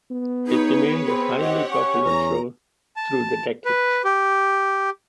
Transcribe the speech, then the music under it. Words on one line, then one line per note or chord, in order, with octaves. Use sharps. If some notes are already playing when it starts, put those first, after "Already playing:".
It remained a highly popular show through the decade.
B3
D#4 G#4 B4 C#5
C4 B5
G4 C#5 D#5 F#5
C#4 C#6
E2 A#5
A5
B4
G4